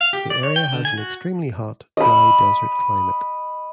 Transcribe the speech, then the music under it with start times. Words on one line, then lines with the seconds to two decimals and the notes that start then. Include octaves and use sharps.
The area has an extremely hot, dry desert climate.
0.01 F5
0.13 G4
0.30 D5
0.43 C#5
0.56 G5
0.73 D3
0.85 G#5
0.98 F#4
1.97 D#5 B5